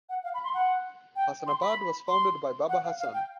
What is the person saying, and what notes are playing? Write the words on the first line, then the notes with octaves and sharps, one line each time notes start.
Hassanabad was founded by Baba Hassan.
F#5
F5
B5
C6
F#5
G5
C6
B5
C6
F#5
F5
F5
G5